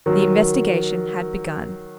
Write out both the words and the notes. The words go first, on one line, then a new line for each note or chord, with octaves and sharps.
The investigation had begun.
D#3 F#3